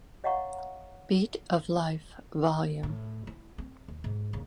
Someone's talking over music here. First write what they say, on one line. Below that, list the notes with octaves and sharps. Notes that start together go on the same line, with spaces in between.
Beat of Life Vol.
C#5 D#5 F5 F#5 A#5 C#6
A2
E4
C4
D#2
G#2
D#2 C#3